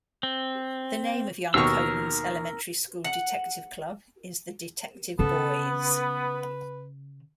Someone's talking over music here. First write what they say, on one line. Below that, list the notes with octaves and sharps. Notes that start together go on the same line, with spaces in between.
The name of young Conan's elementary school detective club is the "Detective Boys".
C4
D#2 B2 A#4 C#6 E6
F#5
C#3 B3 A4
B4